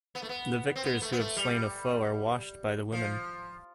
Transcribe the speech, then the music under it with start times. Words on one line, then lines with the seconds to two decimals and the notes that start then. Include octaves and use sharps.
The victors who have slain a foe are washed by the women.
0.15 B3
0.22 A3
0.29 B3
0.76 C4
0.84 B3
1.02 A3
1.12 B3
1.19 A3
1.36 G3
2.92 F3